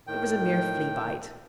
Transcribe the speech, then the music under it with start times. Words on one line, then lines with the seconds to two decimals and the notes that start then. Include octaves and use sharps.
It was a mere flea-bite.
0.07 A2 D#3 G5